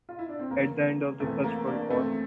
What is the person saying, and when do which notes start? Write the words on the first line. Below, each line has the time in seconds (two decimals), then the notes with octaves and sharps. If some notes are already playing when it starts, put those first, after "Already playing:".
At the end of the First World War.
0.09 F4
0.19 E4
0.29 D4
0.39 C4
0.50 E2 E3 A#3
1.20 E2 E3 A3 C4
1.44 A#3
1.67 A#3 D4
1.90 E2 E3 A3 C4